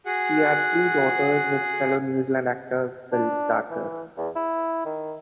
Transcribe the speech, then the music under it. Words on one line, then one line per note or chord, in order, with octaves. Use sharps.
She had two daughters with fellow New Zealand actor Bill Stalker.
F#4 G#4 F#5
D4
E3
E2
E4
D#3